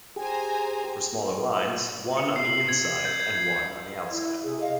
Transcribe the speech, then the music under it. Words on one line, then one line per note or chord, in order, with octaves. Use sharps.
For smaller lines, one on the inside and one on the outside.
G4 G#4 C5 G#5 A#5
C#7
C7
F#7
G#6
G6
G#6
C7
E4
C3 G#4
D#5 F5